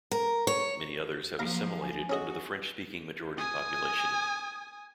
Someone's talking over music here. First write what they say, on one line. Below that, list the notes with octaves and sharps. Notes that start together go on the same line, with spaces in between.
Many others have assimilated into the French-speaking majority population.
A#4
C#5
F3 F#3 A#3 F5 A#5
G#5
C#4 F#4 G#4 D#5
G#5 D#6